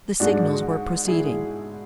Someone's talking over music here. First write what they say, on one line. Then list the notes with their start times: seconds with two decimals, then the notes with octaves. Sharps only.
The signals were proceeding.
0.20 G#2 G#3 D4 F#4
1.08 E4 G#4